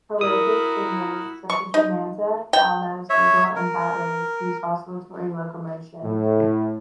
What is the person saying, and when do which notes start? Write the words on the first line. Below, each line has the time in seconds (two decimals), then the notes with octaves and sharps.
Pelagic stingrays, such as the manta, cownose, eagle and bat rays use oscillatory locomotion.
0.21 E4 F#4 A#4 D#6
1.50 C#6
1.74 D#4
2.53 G5
3.10 C#5 E5
3.56 A#4
6.02 A2